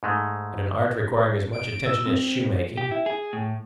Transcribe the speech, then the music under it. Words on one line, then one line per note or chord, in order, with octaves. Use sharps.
And an art requiring as much attention as shoemaking?
G#2 G#3 A3
D7
E6
C4
G4
E4
G#4
A2